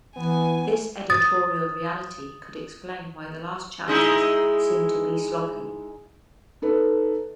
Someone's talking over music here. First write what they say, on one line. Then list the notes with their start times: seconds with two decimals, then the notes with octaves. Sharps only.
This editorial reality could explain why the last chapters seem to be sloppy.
0.16 E3 B3 G#5
1.10 D#6 A6
3.88 G#3 D#4 E4
6.62 D#4 A4 B4